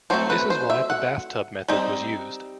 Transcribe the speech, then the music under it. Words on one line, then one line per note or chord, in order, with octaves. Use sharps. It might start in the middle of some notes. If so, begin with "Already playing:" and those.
This is why the Bathtub method was used.
F#3 A3 C4 C5
B4
C5
E5
F#5
G3 C4 D#4